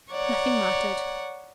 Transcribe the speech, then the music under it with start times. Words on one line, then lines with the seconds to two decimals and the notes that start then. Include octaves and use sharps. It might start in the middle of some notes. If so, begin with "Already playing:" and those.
Nothing mattered!
0.11 C#5 D5 F#5 A#5